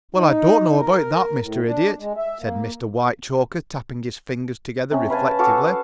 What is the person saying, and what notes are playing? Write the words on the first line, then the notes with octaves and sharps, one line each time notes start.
"Well, I don't know about that, Mr. Idiot," said Mr. Whitechoker, tapping his fingers together reflectively.
D#4
A#4
A2
D4
G#3
E5
A#3
C3 C#4
B4 F5 G#5 A5
F#4 A4 F5 D6